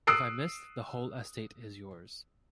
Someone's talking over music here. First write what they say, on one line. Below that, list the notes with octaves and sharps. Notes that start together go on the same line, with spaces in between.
If I miss, the whole estate is yours.
D#6 E6 F#6 C7 D7